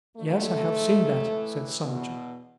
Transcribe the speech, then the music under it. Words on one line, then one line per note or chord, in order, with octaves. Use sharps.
"Yes, I have seen that," said Sancho.
F#2 D3 F3 A3
G#2 F3
A2 E3
E2 B2